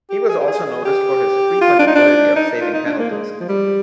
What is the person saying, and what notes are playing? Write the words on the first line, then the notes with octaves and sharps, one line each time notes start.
He was also noticed for his frequent ability of saving penalties.
G4
G#4
G4
G#4
G4
F4
D4
D#4
D4
D#4
F4
D#4
D4
A#3
G#3
F3
G3